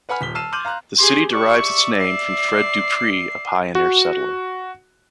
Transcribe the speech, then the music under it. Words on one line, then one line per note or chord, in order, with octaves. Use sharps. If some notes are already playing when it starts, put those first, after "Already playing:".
The city derives its name from Fred Dupris, a pioneer settler.
B4 F#5 G#5 B5 F6
D#1 B6 G7
A5 E6 F6 C7 D#7 E7
C6 D6 F6 G6 D#7 F#7
F5 A#5 C6 F#6
G4 G#4 C6
D5 E5 C#6
C7
F#4